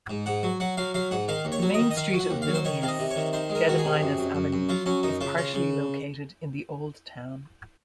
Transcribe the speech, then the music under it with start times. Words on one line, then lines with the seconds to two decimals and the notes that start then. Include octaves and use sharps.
The main street of Vilnius, Gediminas Avenue, is partially located in the Old Town.
0.10 G#2
0.26 G#2 F#5
0.43 F#3
0.60 F#3 F#5
0.77 F#3 F5
0.94 F#3 F5
1.11 G#2 F#5
1.28 D#3 F5
1.45 D#2
1.52 C#5
1.62 F#3
1.74 D#5
1.79 D#3
1.91 D#5
1.97 D#3 F5
2.14 F#3
2.20 F#5
2.31 D#2
2.42 F5
2.48 F#3
2.54 C5
2.65 D#3 C#5
2.82 C3 F5
2.88 D#5
2.99 C3
3.11 C#5
3.16 D#3
3.33 D#3 C5
3.50 G#3
3.55 A#4
3.67 D#3 F#4
3.78 G#4
3.85 C3
4.01 F#2
4.18 F#2
4.35 F#2
4.53 F#2
4.69 F#3 F4
4.86 F#3 C#4
5.03 F#2 D#4
5.21 C#3 F4
5.37 C#3 F4
5.54 C#3